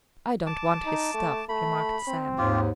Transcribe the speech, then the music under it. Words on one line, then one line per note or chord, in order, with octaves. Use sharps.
"I don't want his stuff," remarked Sam.
A5 D6
D#4
A3
A3 B5
C4
D#2 G#2 F4 G4